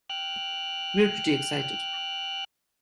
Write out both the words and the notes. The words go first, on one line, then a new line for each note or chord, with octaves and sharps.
We're pretty excited.
G5 F6 F#6